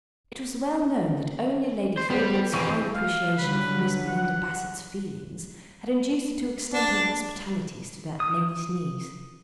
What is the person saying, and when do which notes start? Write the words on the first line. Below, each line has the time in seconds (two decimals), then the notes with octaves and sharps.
It was well known that only Lady Theobald's fine appreciation of Miss Belinda Bassett's feelings had induced her to extend her hospitalities to that lady's niece.
1.97 C5
2.10 G3 B3 B4 C5
2.54 E3 C4 C#6 D#7
2.94 F5
3.38 D3 F#3 G3 B4
4.07 F#5
6.74 D4
8.20 D#6